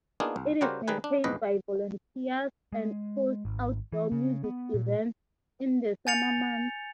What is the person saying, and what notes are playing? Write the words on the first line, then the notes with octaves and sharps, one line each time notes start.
It is maintained by volunteers and hosts outdoor music events in the summer months.
A#3 B3 D4 D#4 F4 G#4
C2
C#3 G3 F#4 G4 A#4 C5
D#3 G3 D#4 B4 G#5
D4
A#1 E2 G#2 B4 D#5
G#3
G#1
E3
C#3
B3
A#2
G#5 G6 A6 C#7 F7